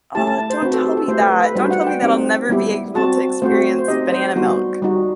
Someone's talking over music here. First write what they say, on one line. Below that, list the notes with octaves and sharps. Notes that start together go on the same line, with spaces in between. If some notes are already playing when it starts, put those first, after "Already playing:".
Oh, don't tell me that. Don't tell me that I'll never be able to experience banana milk.
A3 E4 G4 A5
A5
A5
C5
C4 D#4 F#4 B4
A4
G4
A4
A3 E4 G4 C5
B4
A4
B4
G3 D#4 F#4 C5
F#5
G5
C4 D#4 G4
G3 B3 E4 G4
C4 F#4 A5
A3 C4 F#4 C5
C5
C4 D#4 G4 D#5
C5
G3 B3 D#4 F#4
G3 D#4 F#4